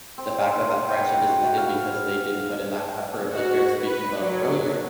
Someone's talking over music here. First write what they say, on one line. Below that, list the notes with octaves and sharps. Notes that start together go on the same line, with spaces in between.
the fact that that friendship just ended because they didn't put in that effort like you're speaking above earlier,
C4
B4 C#5 G5
F#4
B4 F5
F#4
B4
F#3